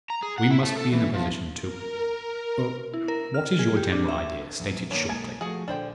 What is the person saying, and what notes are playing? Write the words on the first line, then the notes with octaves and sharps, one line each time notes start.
We must be in a position to--What is your general idea, stated shortly?
A#5
G#4
F#5
E4
A3
A4
E3
F3
A#4
E4
A#4
F6
G#4
G4
D4
E5
F1 A#1 F#2
D#3 G#3 A#3 B3 D4 C#5
B1 G#3 A#3 G#5 A5
F3 A3 F#4 G#4
A#1 D3 D4 C5 G5